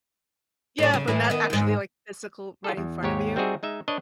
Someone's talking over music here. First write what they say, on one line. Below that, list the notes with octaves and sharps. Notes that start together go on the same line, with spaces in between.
Yeah, but not actually, like, physical right in front of you?
A2 C#4
C#3
A2 E3 E4
D#3 B3
D#2 G#2
F4 G#4 A4
E2
D#2 G#2 G4 C#5
G3 C4 D#4 F#4 G#4 E5
G#3 D#4 E5
D4 B4 C#5 D#5